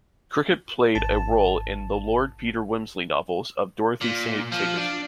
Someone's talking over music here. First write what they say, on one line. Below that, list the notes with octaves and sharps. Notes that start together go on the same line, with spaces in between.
Cricket played a role in the Lord Peter Wimsey novels of Dorothy Sayers.
G#1 A5
A#2
F3
D4